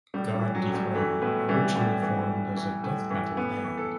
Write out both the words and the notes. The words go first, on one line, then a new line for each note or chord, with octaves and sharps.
God Dethroned originally formed as a death metal band.
A2 G3
G3
E3
F#3
A2
G3
E3 A3
A2 B3
E3 G3
A3
A2 G3
E3
A2
E3
A2
E3
A2 B3
E3
A4